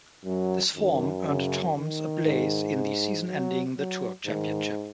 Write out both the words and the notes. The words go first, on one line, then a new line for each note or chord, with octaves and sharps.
This form earned Toms a place in the season-ending The Tour Championship.
F#2 F#3
F#2 D#3
C#3
D#3
G#2
F#3
F#3
G#2 D#3